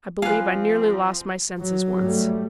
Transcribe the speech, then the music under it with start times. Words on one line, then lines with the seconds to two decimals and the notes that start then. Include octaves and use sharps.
I believe I nearly lost my senses once.
0.22 F3 C4 F4 B4 F5 G#5
1.58 F#3
1.98 G2 G3 A3